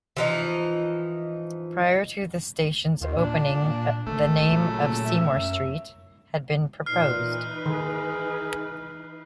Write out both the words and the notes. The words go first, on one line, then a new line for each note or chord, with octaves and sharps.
Prior to the station's opening, the name of "Seymour Street" had been proposed.
E3 F3 D#4
D#2 D#3 F4
A#2 D4
G#1 A3
A#2 C#3 F#3
C#4 A#4 E5
F#2
A#2 E3 D#4 B4 F6 C7
D#3 G#4